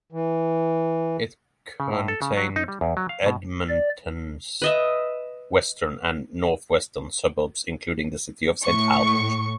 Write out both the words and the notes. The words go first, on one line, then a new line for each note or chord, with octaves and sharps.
It contained Edmonton's western and northwestern suburbs, including the city of Saint Albert.
E3
C#3
A2
A4
C#3
F#3
D#4
G3
E2
F#3
F5
B2
D5
B4 D#5 E5
A2 C#6